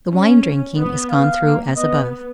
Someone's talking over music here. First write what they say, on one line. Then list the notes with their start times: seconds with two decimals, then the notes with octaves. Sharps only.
The wine-drinking is gone through as above.
0.10 C#4
0.77 B3
1.10 F5
1.43 A#3
1.76 B3 D#5